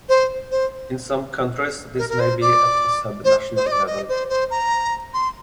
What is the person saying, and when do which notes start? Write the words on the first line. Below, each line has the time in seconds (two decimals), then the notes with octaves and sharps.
In some countries this may be at a subnational level.
0.09 C5
0.51 C5
1.98 A#4
2.09 A#4
2.20 C5
2.41 D5
3.24 C5
3.56 C5
3.66 D#5
3.72 D5
3.87 D#5
4.09 C5
4.29 C5
4.51 A#5
5.14 C6